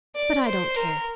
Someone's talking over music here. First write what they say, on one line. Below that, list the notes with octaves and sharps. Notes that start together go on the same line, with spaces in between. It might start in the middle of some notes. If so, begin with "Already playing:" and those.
But I don't care.
D5
C5
A#4